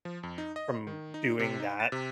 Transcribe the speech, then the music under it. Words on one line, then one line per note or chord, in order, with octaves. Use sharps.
from doing that
F3
F2
D#4
D#5
D#3
D#4
C3
D#4
A6
C3